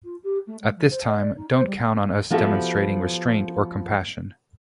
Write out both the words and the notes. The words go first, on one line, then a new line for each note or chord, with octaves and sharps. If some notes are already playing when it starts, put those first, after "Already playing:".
At this time, don't count on us demonstrating restraint or compassion.
F4
G4
A3
G#3
F3
C5
D#5
D5
D#4
C5
G3
F3 B3 F#4 G4 A4 E5